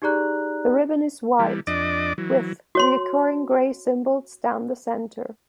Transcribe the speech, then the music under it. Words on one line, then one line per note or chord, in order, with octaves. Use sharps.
The ribbon is white, with recurring grey symbols down the centre.
D#4 G4 G#4 D5 A#5 F#6
E3 G3
F2 D4 D5 D#5 D6
E3 F#3
F#4 C#5 C6